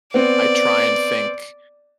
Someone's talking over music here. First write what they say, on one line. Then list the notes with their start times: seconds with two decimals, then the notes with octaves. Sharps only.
I try and think,
0.14 B3 C4 D5